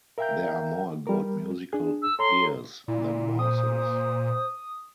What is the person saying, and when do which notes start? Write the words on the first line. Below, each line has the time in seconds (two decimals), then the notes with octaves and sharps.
There are more good musical ears than voices.
0.18 A#4 E5 F5 G5 A#5 G6
1.07 G3 A#4
1.73 D4 G#4
2.02 E6
2.19 A4 C#5 A#5 C6
2.88 A#2 E4 D5
3.39 C5 D#6